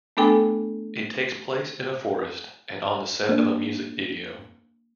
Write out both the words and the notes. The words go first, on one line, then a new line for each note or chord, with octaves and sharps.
It takes place in a forest and on the set of a music video.
A3 B3 D4 A4 G5 G#5
A#3 D4